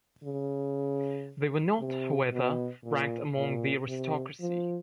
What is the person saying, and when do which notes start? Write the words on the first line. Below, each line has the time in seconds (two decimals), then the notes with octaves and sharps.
They were not, however, ranked among the aristocracy.
0.24 C#3
1.80 C3
2.32 B2
2.84 A#2
3.36 A#2
3.88 C3
4.40 F3